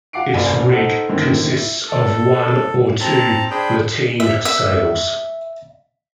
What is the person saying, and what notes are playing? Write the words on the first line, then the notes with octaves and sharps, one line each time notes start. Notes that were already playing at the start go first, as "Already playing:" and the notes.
Its rig consists of one or two lateen sails.
F4 F5 F#5 D6 C7 D7
F1 A#1 F#2 D5 G#5
D#4 A4 C5 F#5
F#2 D3 D#3 F3 A#3 C4
E4
A4
C4 A5 A#5
D4 G#4 C5 G5 B5
E5
E5